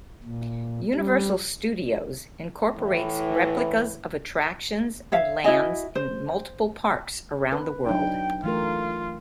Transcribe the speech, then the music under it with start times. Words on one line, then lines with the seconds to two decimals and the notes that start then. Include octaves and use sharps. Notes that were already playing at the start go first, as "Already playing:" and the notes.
Universal Studios incorporates replicas of attractions and lands in multiple parks around the world.
0.23 A#2
0.95 G3
2.74 A2 E3
5.12 C#5 E5 F5
5.44 E4 F#4 D#5 G#5
5.95 C5
7.52 B4
7.87 F#3 D4 D#4 G5
8.44 E3 A3 F4 A#4